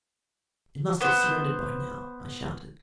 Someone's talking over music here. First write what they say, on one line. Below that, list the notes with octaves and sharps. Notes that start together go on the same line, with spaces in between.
"It must have surrendered by now," I shouted.
B3 C5